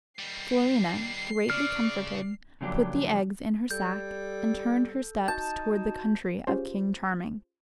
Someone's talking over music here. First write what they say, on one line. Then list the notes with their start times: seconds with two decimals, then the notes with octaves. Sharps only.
Florina, greatly comforted, put the eggs in her sack, and turned her steps towards the country of King Charming.
0.19 D#3 G3 C7
1.50 C#3 D5 F6
2.61 C#3 F3 F#3 A#3 D4 G4
3.71 G3 A4 G6
5.28 D#4 F#4 A5 G6
6.47 C#4 F4 G4 G#4 C5